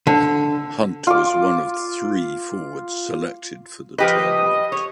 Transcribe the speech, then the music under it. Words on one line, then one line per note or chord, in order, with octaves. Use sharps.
Hunt was one of three forwards selected for the tournament.
D3
F4 D6
F3 G4 B4 D#5
C#5